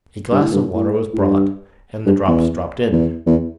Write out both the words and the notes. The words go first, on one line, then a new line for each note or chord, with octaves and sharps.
A glass of water was brought, and the drops dropped in.
G2
A2
G2
A2
A2
G2
G2
E2
E2
E2